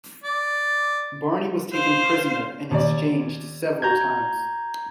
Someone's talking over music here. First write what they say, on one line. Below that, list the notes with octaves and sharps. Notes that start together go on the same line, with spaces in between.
Barney was taken prisoner and exchanged several times.
D5
C5 F5
D#2 D5
F#4 A#5 G6 G#6